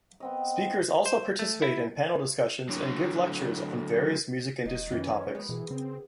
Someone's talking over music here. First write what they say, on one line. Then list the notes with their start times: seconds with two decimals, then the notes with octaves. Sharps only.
Speakers also participate in panel discussions and give lectures on various music industry topics.
0.20 B3 C4 D#5
1.06 C5
1.39 A3
1.62 E4
2.69 D3 F#3
4.65 E1 F#3 D#4 D#5
4.92 F#2 D#3 E3 F#3 C#4
5.07 C#5
5.35 G#3 B3
5.49 B2 E3 G#4
5.70 C#3 C4